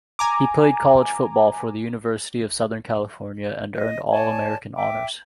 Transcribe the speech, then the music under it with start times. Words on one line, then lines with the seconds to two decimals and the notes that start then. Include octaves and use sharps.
He played college football for the University of Southern California and earned All-American honors.
0.19 G#5 A#5 D6
3.75 D#5
4.10 C#5 D5 G#5 A5
4.75 E5 G5 D6